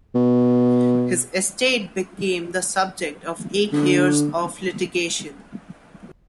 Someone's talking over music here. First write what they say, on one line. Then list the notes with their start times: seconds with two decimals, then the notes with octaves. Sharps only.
His estate became the subject of eight years of litigation.
0.15 B2
3.73 D3